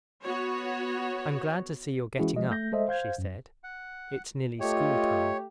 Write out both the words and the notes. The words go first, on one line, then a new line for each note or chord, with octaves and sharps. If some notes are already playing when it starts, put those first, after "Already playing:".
"I'm glad to see you're getting up," she said; "it's nearly school-time."
B3 F#4 C#5
E3 G#3 C#4 E4 F#4 G#4
F3 G#3 D#5
A3 G6 A#6
G#3 A4 C5 D#5 E5
C5 F5 G6 G#6
F#2
F#5
A3 F4 G4 C#5 D#5